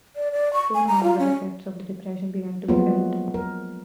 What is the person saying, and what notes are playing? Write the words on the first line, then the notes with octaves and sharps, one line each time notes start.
Soon, however, the effects of the depression began to be felt.
D5
D5
C#6
G#5
A#5
F4
C#4
F3 F#3 G#3 A#3 B3 F4
A#4